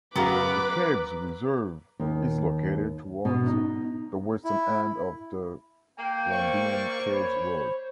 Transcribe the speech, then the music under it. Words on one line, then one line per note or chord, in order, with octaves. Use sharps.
The caves reserve is located towards the western end of the Wombeyan Caves Road.
F#2 B3 F#4 A#4 B4 F5 D6
D#2
B2
D#4
E4
A#3 G5
C5 D5 E5 C#6
C#5 B5